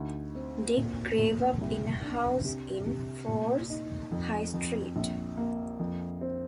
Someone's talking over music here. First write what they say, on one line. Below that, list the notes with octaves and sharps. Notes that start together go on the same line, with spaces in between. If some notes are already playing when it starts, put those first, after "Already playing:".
Dick grew up in a house in Forres High Street.
Already playing: D2 D#4
C4
A#2
A#2
C2
D4
C3
C3
A#2
D#4
F2
F2
A#1
A#3
F2
C4